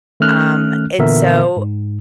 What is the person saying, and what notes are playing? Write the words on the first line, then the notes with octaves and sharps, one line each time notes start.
Um, and so
D#3 A3 C#4 F6 F#6
A#2 D3 E3 B3 A#4 E5
G#2